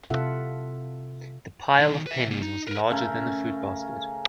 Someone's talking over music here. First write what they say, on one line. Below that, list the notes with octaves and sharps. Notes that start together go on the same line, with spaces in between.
The pile of pennies was larger than the fruit basket.
C3 F4 A4 E5 F#5
B1 D#3
B4 E5
C3 A#3
D#4
A#4 B4
C#3 A3 C#4 A#4